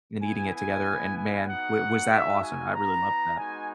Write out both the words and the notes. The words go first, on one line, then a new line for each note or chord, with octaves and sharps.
and eating it together, and, man, w was that awesome. I really loved that.
B3 E4 G#5
G#5
B3 E4
G#5
B3 D#4 F#4 F#5
G#3 D#4 F#4 E5
G#5
B3 E4 A#5
G#3 B3 D#4 F#4 G#5